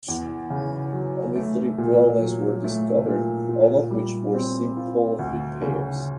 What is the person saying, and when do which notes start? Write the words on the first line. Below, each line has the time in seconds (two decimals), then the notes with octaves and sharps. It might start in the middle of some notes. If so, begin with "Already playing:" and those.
Only three problems were discovered, all of which were simple repairs.
0.08 E2
0.50 C#3
0.93 F#3
1.36 A3
1.78 A#2
2.22 F#3
2.64 A3
3.06 A#2
3.49 A#2
3.91 G3
4.34 C4
4.77 F4
5.19 D2
5.62 C#3